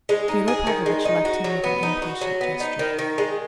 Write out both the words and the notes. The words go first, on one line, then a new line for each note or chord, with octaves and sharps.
Fyodor Pavlovitch left him with an impatient gesture.
G#3
D#4
G#4
D#3
G#3
D#4
F#4
F#3
B3
D#4
F#4
F#3
B3
D#4
D#3
D#3
G#3